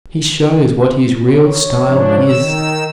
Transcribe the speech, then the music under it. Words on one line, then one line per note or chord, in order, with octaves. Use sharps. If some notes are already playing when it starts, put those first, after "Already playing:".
He shows what his real style is.
C#5
G#2 F3 D4
D#3 E6